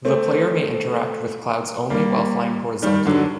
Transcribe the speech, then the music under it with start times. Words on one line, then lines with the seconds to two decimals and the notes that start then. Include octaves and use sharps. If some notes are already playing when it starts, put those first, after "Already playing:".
The player may interact with clouds only while flying horizontally.
0.05 A3 C4
1.90 G3 A#3
2.82 D#3 G3
3.05 D3 F#3